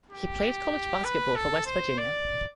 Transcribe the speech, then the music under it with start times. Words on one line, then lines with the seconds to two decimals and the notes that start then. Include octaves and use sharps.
He played college basketball for West Virginia.
0.11 G4
1.04 B4
1.36 A4
1.66 C5
1.98 D5